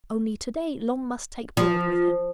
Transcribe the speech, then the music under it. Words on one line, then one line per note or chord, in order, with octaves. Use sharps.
Only to-day, Long must take Broad with him.
F3